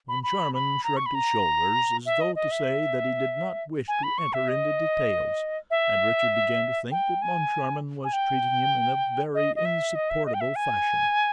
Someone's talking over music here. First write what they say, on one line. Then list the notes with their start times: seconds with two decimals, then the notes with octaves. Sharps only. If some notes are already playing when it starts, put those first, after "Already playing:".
Moncharmin shrugged his shoulders, as though to say that he did not wish to enter into details, and Richard began to think that Moncharmin was treating him in a very insupportable fashion.
0.08 B5
0.23 B5
0.54 B5
0.84 A#5
0.97 C#6
1.06 B5
1.15 A#5
2.06 E5
2.21 D#5
2.35 D#5
2.51 E5
3.88 G#5
4.03 B5
4.18 C#6
4.33 E5
4.48 D#5
5.70 E5
6.91 G5
7.22 G#5
8.04 G#5
8.13 G5
9.35 D#5
9.56 D#5
9.65 E5
9.95 D#5
10.10 E5
10.26 D#5
10.34 G5
10.41 E5
10.56 G#5